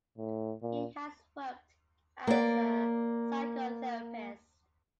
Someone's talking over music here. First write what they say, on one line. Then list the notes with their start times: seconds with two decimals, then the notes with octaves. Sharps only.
He has worked as a psychotherapist.
0.18 A2
0.62 A#2
2.27 A#3 D5